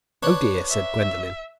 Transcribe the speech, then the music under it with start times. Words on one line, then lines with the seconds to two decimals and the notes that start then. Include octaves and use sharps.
"Oh dear!" said Gwendolen.
0.23 D4 B4 C#5
0.70 E5